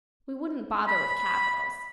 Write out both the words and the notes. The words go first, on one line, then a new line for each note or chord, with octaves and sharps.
"We wouldn't bother with capitals."
B5